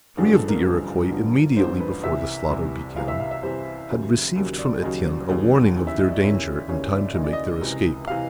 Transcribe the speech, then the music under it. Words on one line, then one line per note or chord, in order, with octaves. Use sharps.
Three of the Iroquois, immediately before the slaughter began, had received from Etienne a warning of their danger in time to make their escape.
A1 G2 D3 F3 G#4
A4
A#4
A1 G2 D3 F3
A1 G2 D3 F3
A1 G2 D3 F3 C5
B4
C2 C3 E3 E5
C2 C3 E3
C2 C3 E3 F5
E5
F5
E5
C2 C3 E3 C5
D#2 C#3 F#3
D#2 C#3 F#3
D5
D#2 C#3 F#3 D#5
D#2 C#3 F#3
D#2 C#3 E3
E5
D#5
D5
D#2 C#3 E3 C#5
D#2 C#3 E3 C#5
D5
D#2 C#3 E3 D#5
D5
D#5
C#2 C3 E3
C3 E3 F5